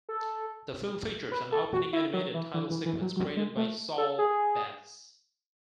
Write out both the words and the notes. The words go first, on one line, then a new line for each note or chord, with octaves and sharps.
The film features an opening animated title sequence created by Saul Bass.
A4
B4
A4
F#4
E4
F#3
E3
E3
E3
E3
F#3
F#3
G#3
A3
A4
G#4